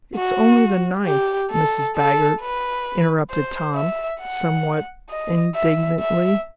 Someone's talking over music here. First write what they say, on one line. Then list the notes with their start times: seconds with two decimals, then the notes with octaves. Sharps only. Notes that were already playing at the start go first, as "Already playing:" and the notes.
"It's only the ninth, Mrs. Baggert," interrupted Tom, somewhat indignantly.
0.15 F#4
1.06 G4
1.51 A4
1.96 A4
2.41 B4
3.31 C5
3.75 E5
4.20 F#5
5.10 D#5
5.55 E5
5.99 E5